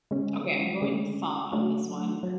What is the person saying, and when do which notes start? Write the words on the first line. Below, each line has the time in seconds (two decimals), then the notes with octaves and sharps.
Okay, I'm going song on this one,
0.11 D3 G#3 C#4
0.82 D3 G#3 C#4
1.52 F#3 A3 D4
2.23 F#3